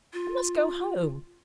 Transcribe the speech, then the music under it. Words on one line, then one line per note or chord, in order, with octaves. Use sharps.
I must go home.'
F4